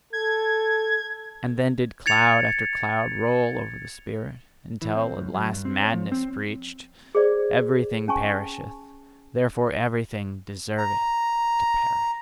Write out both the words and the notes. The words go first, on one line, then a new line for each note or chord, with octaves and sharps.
And then did cloud after cloud roll over the spirit, until at last madness preached: "Everything perisheth, therefore everything deserveth to perish!"
A4 G#6
G#6 A6 C#7 F7
E3
C4
F#2
F#3
G2
C4
C#5
F3
C4
G#4 C5 D5
C#4 G#5 A5 C#6
A#5